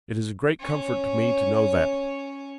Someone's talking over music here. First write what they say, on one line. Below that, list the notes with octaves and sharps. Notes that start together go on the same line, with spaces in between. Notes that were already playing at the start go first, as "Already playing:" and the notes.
It is a great comfort to me to know that.
C#4 C#5